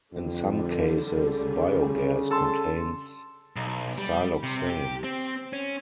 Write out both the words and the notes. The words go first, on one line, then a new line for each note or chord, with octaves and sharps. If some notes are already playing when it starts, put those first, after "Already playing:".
In some cases, biogas contains siloxanes.
F2 D3 G3
C#3
A4 A5 C6
B1
G3
C3
G4
C4
C#4